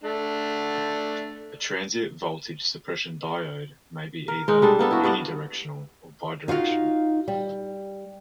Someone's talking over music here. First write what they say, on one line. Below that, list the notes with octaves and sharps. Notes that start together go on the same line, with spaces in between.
A transient-voltage-suppression diode may be either unidirectional or bidirectional.
A3 D4
A#4
G#3 D#4
G3 D4 A4
A#3 B3 A4
E4 F#4
G2 B3 D5 F#5
D#4 F4 F#4 F5
G3